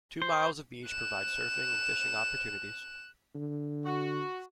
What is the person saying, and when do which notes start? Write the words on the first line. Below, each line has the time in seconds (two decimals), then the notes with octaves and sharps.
Two miles of beach provide surfing and fishing opportunities.
0.22 C5
0.86 F#6 E7
3.35 D3
3.86 F#4